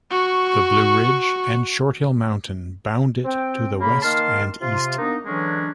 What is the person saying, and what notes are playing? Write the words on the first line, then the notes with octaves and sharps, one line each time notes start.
The Blue Ridge and Short Hill Mountain bound it to the west and east.
F#4 C#6
C4 G5
C#3 A#3 B5
D#3 A#3 A5 C6 F6
C3 F4
A#3 B3 D4 D#4
D3 E3 F#3 G#3 C#4 D4